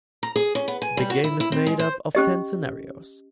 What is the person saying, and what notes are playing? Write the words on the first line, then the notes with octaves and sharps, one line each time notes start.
The game is made up of ten scenarios.
A#5
G#4
C#4
B3
G#5
G3
F#4
E4
E4
C4
G#3
C5
C#4 G4 D#5